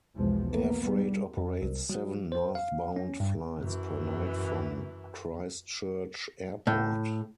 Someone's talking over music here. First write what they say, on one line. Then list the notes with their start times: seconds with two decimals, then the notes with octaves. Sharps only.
Air Freight operates seven northbound flights per night from Christchurch Airport.
0.15 B1 E2 F3 G#3
0.50 A#3 B3
0.88 G3
1.38 F2
1.62 C2
1.90 F#3
2.32 C5
2.55 F5
2.96 C#4
3.20 G2
3.60 F#2 E3
6.67 A2